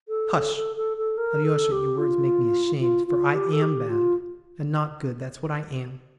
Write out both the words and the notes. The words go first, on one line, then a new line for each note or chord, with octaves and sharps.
Hush, Alyosha, your words make me ashamed, for I am bad and not good--that's what I am.
A4
A4
A4
A4
A4
A#4
A4
G4
F4
F4
F4
G4
A4
G4
F4